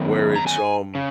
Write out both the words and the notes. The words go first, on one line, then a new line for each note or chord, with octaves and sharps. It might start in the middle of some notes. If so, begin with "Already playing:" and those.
where it's, um
Already playing: F#2 D#3 B3
A#5
G#5
C#3